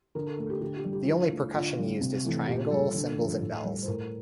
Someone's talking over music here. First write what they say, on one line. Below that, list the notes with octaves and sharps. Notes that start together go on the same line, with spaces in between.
The only percussion used is triangle, cymbals, and bells.
D3 A#4
A4
A3 A4
G4
D3 G4
G4
G3
G4
F4
D3 E4
F4
A3
D3 F4
G3
C3
E3 A3
A#2 G4
G3 A4
D3
F3 A3
A2
G3
C5
A2 A#4